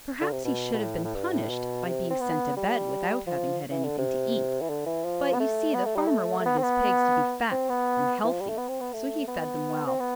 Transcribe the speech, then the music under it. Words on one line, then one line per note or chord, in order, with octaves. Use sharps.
Perhaps he should have been punished by being sent to bed without having had anything to eat, but you see the farmer wanted his pigs to be fat and healthy, so he fed them well.
D3
C3
B2
B2
A2
A2
G2
A2
B2
C3
C4
B3
G3
F3
E3
D3
C3
E3
D3
E3
F3
B3
A3
B3
A3
G3
A3
A3
B3
C4
B3
C4
B3
E3
F3
G3
A3
B3
C4
B3
A3
B3
C4
B3